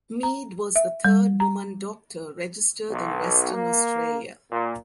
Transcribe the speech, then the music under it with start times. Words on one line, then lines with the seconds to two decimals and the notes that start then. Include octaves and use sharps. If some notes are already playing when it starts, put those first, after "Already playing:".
Mead was the third woman doctor registered in Western Australia.
0.23 A#5
0.76 E5
1.05 G3
1.40 A#5
2.90 B1
3.52 A#3
4.50 A#2